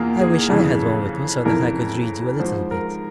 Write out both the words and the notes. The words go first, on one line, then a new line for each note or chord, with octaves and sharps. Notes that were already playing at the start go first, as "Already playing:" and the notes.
I wish I had one with me, so that I could read you a little bit.
Already playing: E2 E3 A#3 F4
G#4
F2 C#3 E3
F2 C#3 E3 A#4
G#2 F3 C5
A#4